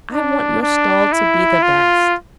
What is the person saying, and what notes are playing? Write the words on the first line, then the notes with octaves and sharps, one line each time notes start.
'I want your stall to be the best.'
D4
D4
E4
F4